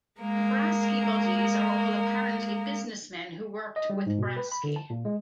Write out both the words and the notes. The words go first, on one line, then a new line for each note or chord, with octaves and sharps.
The Brasky Buddies are all apparently businessmen who worked with Brasky.
G#3 A#3 A#4
D#5
G3
G#2
B2
B4
B5
D3
A5
A#2
G#3